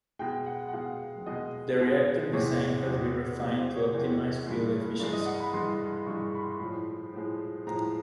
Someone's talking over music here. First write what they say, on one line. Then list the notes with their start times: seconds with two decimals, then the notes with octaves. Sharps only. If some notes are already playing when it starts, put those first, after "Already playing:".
The reactor design has been refined to optimize fuel efficiency.
0.19 B2 G#3 G5
0.46 F#5
0.68 F#5
0.73 B2 G#3 F5
1.26 B2 G#3 D#5
1.80 B2 G#3
2.33 E2 C3 E3 G#3 C#5
2.87 E2 C3 E3 G#3
3.40 E2 C3 E3 G#3 G#4
3.58 C5
3.76 C#5
3.93 E2 C3 E3 G#3
4.46 G2 E3 G#3
4.99 G2 E3 G#3 D5
5.13 D#5
5.26 F#5
5.40 B5
5.53 G2 E3 G#3 C6
6.06 G2 E3 G#3 C#6
6.24 C#6
6.35 B5
6.43 C6
6.60 A2 F3 G#3 B5
7.13 A2 F3 G#3
7.67 A2 F3 G#3 A#5